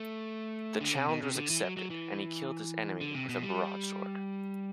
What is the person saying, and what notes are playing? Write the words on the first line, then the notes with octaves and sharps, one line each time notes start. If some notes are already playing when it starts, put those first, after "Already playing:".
The challenge was accepted, and he killed his enemy with a broad sword.
Already playing: A3
D3
C3
B2
C3
D3
E3
F#3
F#3
E3
D3
C3
B2
G3